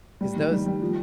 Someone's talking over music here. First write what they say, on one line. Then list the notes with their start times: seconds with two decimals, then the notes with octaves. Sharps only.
'Cause those
0.21 G3
0.36 D#3
0.51 G3
0.66 G3
0.82 F3